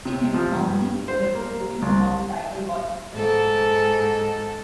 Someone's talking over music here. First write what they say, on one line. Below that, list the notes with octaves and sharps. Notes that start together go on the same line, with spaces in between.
In it, Mowgli hears the story of how the tiger got his stripes.
C3
F3
G2
C5
A#3
C2
G#2 A4